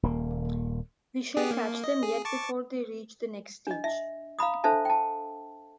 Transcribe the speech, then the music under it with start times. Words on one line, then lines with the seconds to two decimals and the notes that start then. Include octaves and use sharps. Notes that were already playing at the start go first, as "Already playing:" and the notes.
We shall catch them yet before they reach the next stage.
0.03 D#1 A#3
1.37 B3 G4 G#4
1.51 A#3
1.84 D#5
2.03 G#4
2.25 A5 C#6 D6
3.67 D4 D#5
3.84 E5
4.39 F5 A#5 B5 D#6
4.64 D4 A4 C5 E5 A5
4.85 G5 A5